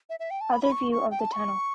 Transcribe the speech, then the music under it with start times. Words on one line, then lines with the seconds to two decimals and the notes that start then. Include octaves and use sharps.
Other view of the tunnel.
0.10 E5
0.20 E5
0.31 G5
0.41 A5
0.51 B5
0.63 B5
0.72 C#6
0.92 C#6
1.11 G5
1.20 A5
1.34 C#6